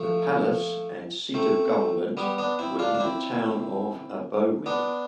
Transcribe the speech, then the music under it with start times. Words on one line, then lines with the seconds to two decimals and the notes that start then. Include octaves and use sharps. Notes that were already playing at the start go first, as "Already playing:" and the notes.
The Palace and seat of government were in the town of Abomey.
Already playing: F3 A3
1.34 A3 C4
2.17 G3 B3
2.38 B3 D4
2.59 C4 E4
2.79 D4 F4
2.95 D4
3.00 C4 E4
4.66 B3 D4